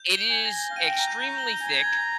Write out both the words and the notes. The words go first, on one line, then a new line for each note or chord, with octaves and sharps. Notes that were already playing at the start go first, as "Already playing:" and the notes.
It is extremely thick
Already playing: G6
G7
G#5
A#6
F5
G5 D#7
A#5
G6
A#5
G7
A#5
G#5
A#5 G#6
G#6